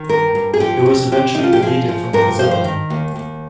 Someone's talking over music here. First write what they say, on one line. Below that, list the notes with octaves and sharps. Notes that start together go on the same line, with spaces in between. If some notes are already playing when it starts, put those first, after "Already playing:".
It was eventually deleted from Quizilla.
Already playing: D#3
G2 A#4
G2
G#4
F3 G4
F2
C3 G4
F3 D#4
F4
G4
F3 G#4
F3
G2 A#4
F3 C5
C5
D#3
D#2
D#2